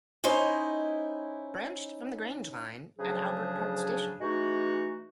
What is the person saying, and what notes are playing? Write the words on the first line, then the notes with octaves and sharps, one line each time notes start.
Branched from the Grange line at Albert Park station.
C#4 D#4 E4 C5 D#5
D2 C#3 F3 F#3 D4 G#4
E3 G#3 A3 D#4 F#4